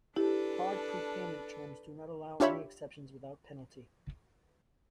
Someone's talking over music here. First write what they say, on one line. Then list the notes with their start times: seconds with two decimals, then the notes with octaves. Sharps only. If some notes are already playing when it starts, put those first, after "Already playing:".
"Hard" prepayment terms do not allow any exceptions without penalty.
0.16 D4 E4 G4 A4 B4
2.40 D4 F4 G4 C#5 E5 B5